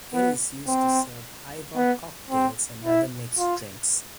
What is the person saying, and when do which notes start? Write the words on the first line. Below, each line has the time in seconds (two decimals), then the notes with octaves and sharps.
It is used to serve highball cocktails and other mixed drinks.
0.14 B3
0.67 C4
1.75 B3
2.30 C4
2.85 E4
3.38 F4